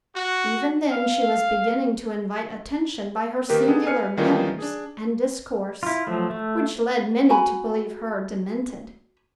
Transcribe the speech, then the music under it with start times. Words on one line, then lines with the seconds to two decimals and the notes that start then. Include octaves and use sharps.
Even then she was beginning to invite attention by her singular manners and discourse, which led many to believe her demented.
0.15 F#4
0.92 F5
3.49 D#3 A#3 G4 A#4 B4
3.68 B3 G#4 A4
3.86 B4 G#5 F6 C7 C#7
4.17 D#3 E3 G3 C#4 D#4 F4
4.59 D4 G#4
5.83 E4 F4
6.07 F3 F#3 A3
6.30 A3
7.30 F#4 G#5 B5